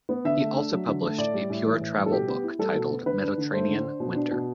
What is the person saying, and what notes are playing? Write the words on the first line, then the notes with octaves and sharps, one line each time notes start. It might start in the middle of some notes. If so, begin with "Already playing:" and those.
He also published a pure travel book titled Mediterranean Winter.
B3
D3 E5
A3
D4
F#3
D3
A3
A2 D5
G3
A2
E3
A2
G3
A4
B2 G4
B3
E4
G3 A4
B2
B3
D3 B4
D4
D3
A3 C5
D3
D4
B2
D4
B2